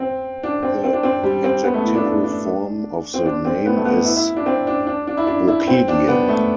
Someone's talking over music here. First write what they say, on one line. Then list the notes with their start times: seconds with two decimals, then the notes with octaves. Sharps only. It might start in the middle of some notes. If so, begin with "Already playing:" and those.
The adjectival form of the name is Baucidian.
Already playing: C4
0.43 D4
0.63 C4
0.84 C4
0.93 D4
1.03 C4
1.23 G3
1.44 C4
1.64 B3
1.74 A3
1.84 E4
1.95 D4
2.05 D4
2.24 D4
3.14 C4
3.26 D4
3.45 C4
3.66 B3
3.76 A3
3.85 B3
4.05 E4
4.16 E4
4.36 D4
4.46 C4
4.67 D4
4.87 D4
5.07 D4
5.17 E4
5.27 D4
5.48 E4
5.67 C4
5.88 D4
6.08 B3
6.29 A3